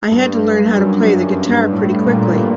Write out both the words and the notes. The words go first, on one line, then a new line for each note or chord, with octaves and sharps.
"I had to learn how to play the guitar pretty quickly".
G2
F#2
G2
A2
A#2